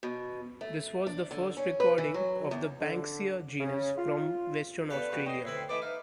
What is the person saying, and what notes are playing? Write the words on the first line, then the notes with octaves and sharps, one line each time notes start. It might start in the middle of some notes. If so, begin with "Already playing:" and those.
This was the first recording of the "Banksia" genus from Western Australia.
B2
A3
D4
D3
C#4
B4
E3
F#3
E2
D3
C#3
F4
B3 G4 A4 B4 D5 F5
F3 F#4 G4
C#5 D#5 G5 C7
D2 C4 E4 B4
E3 A3 E4 B4 D#5 E5 D6
D#4 F5